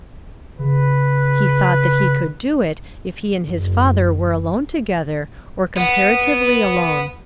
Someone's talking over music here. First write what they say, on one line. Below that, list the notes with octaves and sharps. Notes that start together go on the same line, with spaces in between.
He thought that he could do it if he and his father were alone together, or comparatively alone.
C#3 B4
F#1
B3